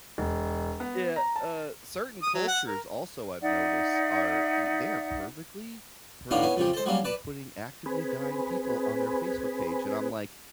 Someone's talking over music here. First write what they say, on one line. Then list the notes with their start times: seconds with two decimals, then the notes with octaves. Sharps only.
Yeah, uh, certain cultures also I've noticed are, y they are perfectly, perfectly fine with putting actively dying people on their Facebook page, and I'm, like,
0.18 E1
0.80 B3
1.16 A#5
1.36 A5
2.23 D#6
2.34 F#3
2.48 F#5
2.68 A#4
3.42 D#4 D5 E5 F#5
6.31 A2 D#3 B3 C#4 D4 F5
6.42 B3 C#4 E4
6.56 F2 C#3 F3 G4
6.73 A4 C5
6.86 F#3 G3 A#3 C#4
7.04 B4 D5 A5
7.86 C4 G#4 B4